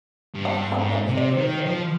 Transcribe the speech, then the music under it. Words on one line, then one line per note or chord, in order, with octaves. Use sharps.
Oh, okay, okay,
G2
G#2
C3
D#3
F3